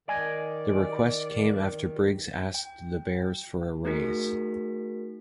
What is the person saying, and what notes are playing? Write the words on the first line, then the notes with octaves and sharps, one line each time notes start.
The request came after Briggs asked the Bears for a raise.
D#3 D5 D#5 G#5
G5
A3 D#4 F#4 G#4 A#4 B6